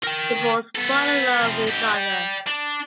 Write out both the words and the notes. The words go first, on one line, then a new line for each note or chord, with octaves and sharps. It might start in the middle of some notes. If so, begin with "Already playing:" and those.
They both fall in love with each other.
A#4 G5
B3 A4
C3 F3
G#2 G4
D5 G5
D4